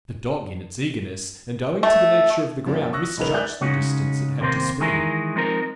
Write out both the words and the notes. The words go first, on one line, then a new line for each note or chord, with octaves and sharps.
The dog in its eagerness, and owing to the nature of the ground, misjudged the distance it had to spring.
A3
F#2 D3 F3 A#3 D4
C#6 D#6 E6 F#6 A#6
A#1 C#3 D#4 A#4 B4 F7
D5 E5 G#5 F#6 G6
C#3 G#3 C#4 D#4 F#4
D#2 C3 A#3 C4 A4 C5
D#3 E3 G#3 E4 G#4 A#4
F3 G#3 C4 D#4 A4 A#4